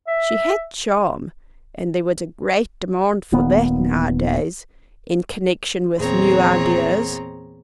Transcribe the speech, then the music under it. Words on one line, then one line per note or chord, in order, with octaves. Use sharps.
She had charm, and there was a great demand for that nowadays in connexion with new ideas.
E5
D#1 D#2 B3
E2 A#2 C4 G#4 C#5 A#5